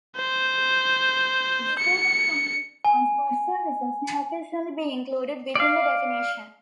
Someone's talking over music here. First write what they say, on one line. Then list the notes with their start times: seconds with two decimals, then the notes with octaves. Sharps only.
Disabled community transport services may occasionally be included within the definition.
0.17 C5
1.79 C#7
2.85 G#5
5.55 D5 F5